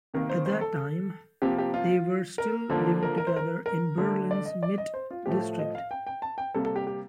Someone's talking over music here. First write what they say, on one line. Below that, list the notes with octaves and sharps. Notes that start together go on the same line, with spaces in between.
At that time, they were still living together in Berlin's Mitte district.
C3 D#3 A#3 A#4
C5
C5
A4
C3 F3 A#3 G4
G4
F4
A#4
D3 F3 A#3
A#4
A#4
C5
A#4
A#4
D3 A3
D5
D#5
D5
D#5
C5
F4
A2 F3 A3 G4
D#5
F5
G5
G5
A5
G5
C3 G3 A#3 A4
A4
G4
G4